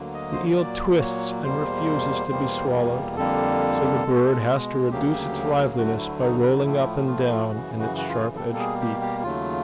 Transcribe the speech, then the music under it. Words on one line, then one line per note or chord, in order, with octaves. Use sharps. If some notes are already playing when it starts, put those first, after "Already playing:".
The eel twists, and refuses to be swallowed; so the bird has to reduce its liveliness by rolling up and down in its sharp-edged beak.
Already playing: D2 D3 F#3 A#3
D#5
C5
C#5
A#2 F#3 A#3 D5
C#5
E2 B2 G3 A#3 C5
E2 B2 G3 A#3
F2 D3 G3 A#3 A4
B2 G#3
D2 C#3 F#3 A#3 G4
D2 D3 F#3 A3 F#4
E4
D#4
E4
D#4
A2 F3 A3 E4
F4
E4
F4
F#2 C#3 E3 F#4
F#4
F#4
F4
B2 G3 A#3 A4
A4
G#4
G4
G4
D#2 C#3 F#3 A3 F4